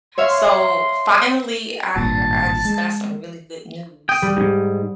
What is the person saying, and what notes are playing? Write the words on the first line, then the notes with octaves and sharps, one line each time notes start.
so, finally, I her I just got some really good news.
C#5 E5 F5 C6
G#1 G2 A#2 A5
G#3
G5 D#6
G3
E2 G#2